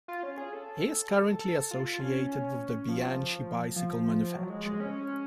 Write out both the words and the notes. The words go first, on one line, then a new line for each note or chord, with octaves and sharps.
He is currently associated with the Bianchi bicycle manufacturer.
F4
C#4
G#4
A4
A4
F4
F4
C#4
F3
F3
F#3
G#3
G#3
C#4